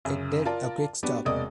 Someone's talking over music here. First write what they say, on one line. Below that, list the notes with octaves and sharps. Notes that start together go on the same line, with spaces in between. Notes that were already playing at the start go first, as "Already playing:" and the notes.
It did a quick stop.
F#2 C#3
F4 A#4 D5 A5
B3 D4 F#4 G4
E1 C3 A#3 D5 D#5 D#6